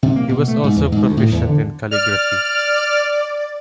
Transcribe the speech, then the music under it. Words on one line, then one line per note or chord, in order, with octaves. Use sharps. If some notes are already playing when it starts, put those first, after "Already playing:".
He was also proficient in calligraphy.
C3
A#3
B2
A3
G#2
E2
G#2
D2
A2
E2
D3
D5 F6